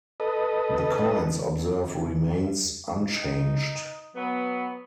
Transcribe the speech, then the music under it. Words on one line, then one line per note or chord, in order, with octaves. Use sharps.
The coin's obverse remains unchanged.
A4 B4 D#5
D#4
F#3 B3